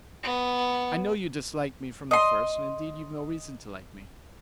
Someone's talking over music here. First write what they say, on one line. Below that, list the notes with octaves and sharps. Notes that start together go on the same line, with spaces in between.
I know you disliked me from the first and indeed you've no reason to like me.
B3
D#5 C6